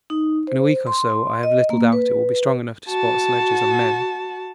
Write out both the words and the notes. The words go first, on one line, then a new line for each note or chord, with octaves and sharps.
In a week or so I have little doubt it will be strong enough to support sledges and men.
D#4
C5
C6
D#5
A#3
B4
F#4 A5